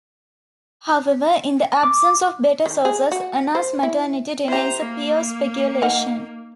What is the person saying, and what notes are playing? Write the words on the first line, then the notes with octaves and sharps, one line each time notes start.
However, in the absence of better sources, Anna's maternity remains a pure speculation.
D6
D#3
G#4
F#4
C5
E4
E4 G4 C5 A#5
A#3
D#4 A#4 F#5